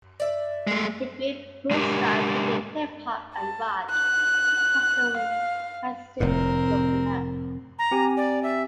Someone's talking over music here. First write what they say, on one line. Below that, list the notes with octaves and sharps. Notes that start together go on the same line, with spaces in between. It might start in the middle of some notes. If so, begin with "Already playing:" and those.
The group, whose style blended hip-hop and rock, has since broken up.
D5 E5
G#3 A3
G#3 D4 G4 A#4
A5
F#6
F5
F1 A2 C4 A#4
A#5
C4 G4 G#5
D5
E5